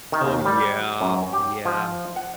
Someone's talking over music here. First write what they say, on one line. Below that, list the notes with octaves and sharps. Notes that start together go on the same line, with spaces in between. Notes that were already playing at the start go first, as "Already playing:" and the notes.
Oh, yeah, yeah.
D#3
D#2
G3
F#2
G4
F3
F#5